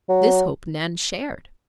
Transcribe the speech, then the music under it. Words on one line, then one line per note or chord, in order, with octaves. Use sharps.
This hope Nan shared.
F#3